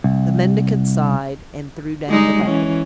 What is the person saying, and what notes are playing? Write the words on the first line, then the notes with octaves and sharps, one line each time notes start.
The mendicant sighed and threw down the bag.
C2
G3 G#3 D#4
E3 C#4